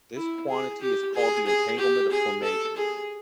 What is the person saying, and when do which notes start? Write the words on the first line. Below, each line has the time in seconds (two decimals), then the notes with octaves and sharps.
This quantity is called the entanglement of formation.
0.15 E4
0.48 G#4
0.81 G4
1.14 G#4
1.46 G#4
1.78 G4
2.11 G#4
2.42 A4
2.76 G#4